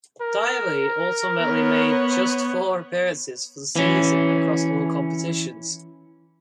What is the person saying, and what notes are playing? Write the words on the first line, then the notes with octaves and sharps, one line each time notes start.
Diaby ultimately made just four appearances for the season across all competitions.
A#4
B3 C#5
E3 C#4